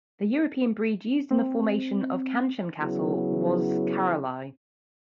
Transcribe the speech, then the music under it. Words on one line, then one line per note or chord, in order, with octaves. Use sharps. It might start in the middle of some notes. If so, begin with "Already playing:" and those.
The European breed used in the formation of Canchim cattle was Charolais.
C4
C#3 F#3 B3 E4 G#4